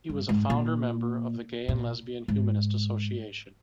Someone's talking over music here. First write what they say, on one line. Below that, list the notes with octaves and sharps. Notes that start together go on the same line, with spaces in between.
He was a founder member of the Gay and Lesbian Humanist Association.
G2
G#2
A#2
A#2
G#2